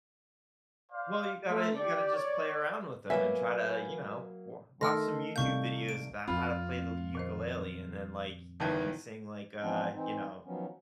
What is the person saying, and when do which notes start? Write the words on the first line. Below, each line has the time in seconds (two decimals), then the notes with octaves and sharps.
Well, you gotta you gotta just play around with 'em and try to, you know, w watch some YouTube videos about how to play the l ukulele, and then, like, you can sing like, uh, you know,
0.92 C5 D5 F5
1.48 A3 A#4 C5 E5
1.80 G4 D5
2.15 C#5
3.10 F#3 A#3 B4 E5 G#5
4.81 D#3 A3 A4 C6 E6 F6 A#6
5.36 C2 C3 F5 C#6 G6
5.89 D7
6.28 F2 C4 F4 B5
7.15 A#2 D#3 C5
8.60 G1 D#3 E3 G5 A5 G6
9.61 E3 F3 B3 C4 D4
9.93 E3 C4 D#4
10.44 D#3 F3 F#3 B3 C#4